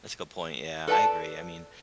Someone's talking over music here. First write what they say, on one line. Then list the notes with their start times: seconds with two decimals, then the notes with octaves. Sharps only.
That's a good point, yeah, I agree. I mean
0.87 A4 B4 D5 F#5 A5